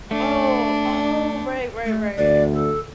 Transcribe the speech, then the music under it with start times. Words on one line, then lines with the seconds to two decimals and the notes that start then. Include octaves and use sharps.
Oh. Oh, right, right, right.
0.11 A3 D4
1.86 A3
2.18 D2 D5
2.54 A4